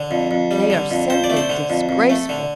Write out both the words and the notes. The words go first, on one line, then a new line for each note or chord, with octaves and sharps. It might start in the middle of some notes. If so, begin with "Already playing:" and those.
They are simply disgraceful.'
Already playing: D3
F2
F2
G3
D3
F2
F2 C5
D5
A3
C5
D3
F2
F2
A3
D3